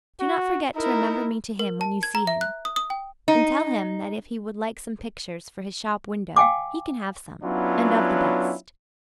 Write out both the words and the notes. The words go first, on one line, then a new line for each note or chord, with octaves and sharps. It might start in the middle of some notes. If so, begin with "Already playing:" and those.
Do not forget to remember me to him when you see him, and tell him that if he would like some pictures for his shop-window, he can have some--and of the best.
F#4
D#4 E4 A#4
A#4
A5
G#6
A#5
E5
F#6
D#6
D#6
G5
D#4
F5 G5 G#5 D6
F#3 B3 C#4 D4 E4 F4